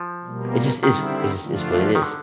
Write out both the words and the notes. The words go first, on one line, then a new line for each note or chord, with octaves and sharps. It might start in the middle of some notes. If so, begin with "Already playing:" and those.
it's just it's it just what it is.
Already playing: F3
B2 G3 A#3
D3 D#3 G3 C4 E4
D3 F3 A3 D4 F4
D#3
D3